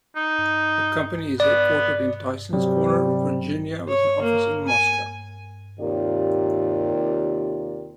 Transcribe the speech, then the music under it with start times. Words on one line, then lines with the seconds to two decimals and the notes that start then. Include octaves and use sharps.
The company is headquartered in Tysons Corner, Virginia with an office in Moscow.
0.16 D#4
1.40 B3 D5
2.53 C3 F#3 G3
3.88 C#5
4.22 A#3
4.67 G#5
5.80 D#2 C3 F4 G4 A#4 D5